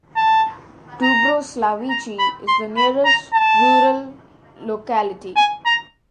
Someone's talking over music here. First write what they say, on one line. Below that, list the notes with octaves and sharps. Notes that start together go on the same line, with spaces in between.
Dubroslavichi is the nearest rural locality.
A5
A#5
A#5
B5
C6
B5
A#5
A5
G#5
A#5